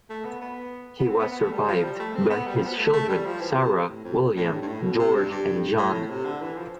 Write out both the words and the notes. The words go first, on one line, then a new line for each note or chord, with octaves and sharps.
He was survived by his children Sarah, William, George, and John.
A3
B3
B3
B3
C4
B3
B3
A3
G3
F3
G3
A3
C4
B3
G3
F3
B3
A3
A3
G3
F3
E3
B2
C3
A2
F2
A2
G2
G2
A2
B2
C3
G2
G2
A2
A2
C3
D3
E3
F3